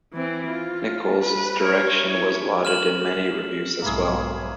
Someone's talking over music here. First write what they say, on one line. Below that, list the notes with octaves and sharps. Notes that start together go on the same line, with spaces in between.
Nichols' direction was lauded in many reviews as well.
E3 C4
F4
B4
A#4 C#5
E4 C#5
F6 E7 F#7
B1 G#2 A#3 E4 G#4